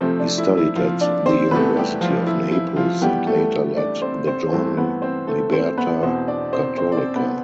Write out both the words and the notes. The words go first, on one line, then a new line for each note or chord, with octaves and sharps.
He studied at the University of Naples and later led the journal "Liberta cattolica".
C3 F3 A3 C4
D4
E4
E4
F3 F4
D4 D5
C4 C5
E2 C3 E3 A3 B3 C4 B4
G3 G4
F3 F4
E4
E4
F3 F4
G2 E3 G3 B3 G4
A3 A4
D4 D5
C4 C5
C4 C5
G2 E3 A3 C4 C5
B3 B4
C4 C5
A3 A4
C4 C5
B3 B4
E2 B2 B3 C4 C5
D4 D5
C4 C5
C4 C5
D5
C4 C5
B3 B4